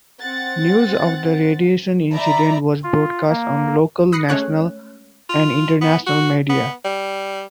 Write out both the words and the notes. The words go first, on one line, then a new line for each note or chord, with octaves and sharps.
News of the radiation incident was broadcast on local, national, and international media.
C4 F#5 A6
D#4 D5 E5 A#5 B5
F4
A#3
B5 D#6 F#6 A#6 C7 C#7
G#3 A3 C#4 C#5 F#6
F4
B3
F#4
B3
G3